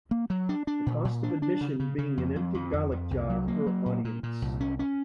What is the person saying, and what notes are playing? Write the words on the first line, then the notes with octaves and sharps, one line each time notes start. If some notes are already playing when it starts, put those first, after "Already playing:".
The cost of admission being an empty garlic jar per audience.
A#3
F#3
D4
D4
A#2
A#2
D4
D4
C#3
C#3
C#3
F2
F2
F2
F2
F2
C2
F#3
A#3
F#3
A#2
A#2
A#2
C2
C#4
C#4